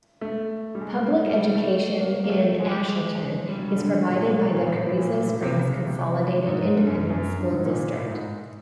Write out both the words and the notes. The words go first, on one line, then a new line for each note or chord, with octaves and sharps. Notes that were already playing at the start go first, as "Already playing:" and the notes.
Public education in Asherton is provided by the Carrizo Springs Consolidated Independent School District.
A3
G3
G#3
A#3
A3
G3
G3
A3
A#3
A#3
A3
G#3
G#3
G3
F#3
G3
D3
A#2
B2
A#2
A2
A#2
A2
C3
C#3
C3
G#2
G2
F#2
F#2
G2
G#2
A#2
A2
G#2